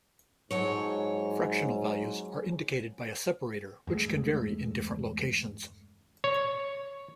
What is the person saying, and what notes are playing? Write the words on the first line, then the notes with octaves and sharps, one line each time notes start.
Fractional values are indicated by a separator, which can vary in different locations.
F2 G#2 F#3 C#5
E2 G2 G#3 A3
C#5